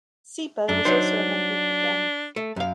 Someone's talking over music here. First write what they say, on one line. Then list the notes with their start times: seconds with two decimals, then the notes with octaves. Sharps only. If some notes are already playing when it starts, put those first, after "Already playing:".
C-Bo was also a member of the gang.
0.69 F#2 D4
0.85 F#3 D#4 C5
2.36 A3
2.56 F#2 F5